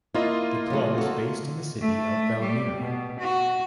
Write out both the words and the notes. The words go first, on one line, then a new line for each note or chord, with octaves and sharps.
The club is based in the city of Valmiera.
A#3 E4 F4 D#5
F#3 A3
F#4 A4
A3
G3
B2
F#4